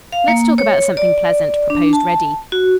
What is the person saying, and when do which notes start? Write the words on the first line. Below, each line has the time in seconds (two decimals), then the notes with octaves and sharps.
"Let's talk about something pleasant," proposed Reddy.
0.12 F5
0.28 A#3
0.58 C#5
0.97 D5
1.70 D4
1.93 A5
2.52 F#4